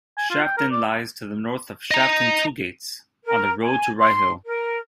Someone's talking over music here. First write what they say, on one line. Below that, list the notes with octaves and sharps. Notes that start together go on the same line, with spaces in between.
Shafton lies to the north of Shafton Two Gates, on the road to Ryhill.
G#5
F4
G5
A#4
D5
D#5 A#5
A#4
G#5
C6
A#4